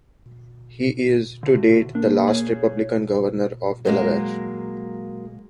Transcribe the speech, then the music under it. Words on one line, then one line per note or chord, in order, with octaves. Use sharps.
He is, to date, the last Republican governor of Delaware.
D3 F#4
A#3 D4
G#4 C#5
F#3 G#3 A#3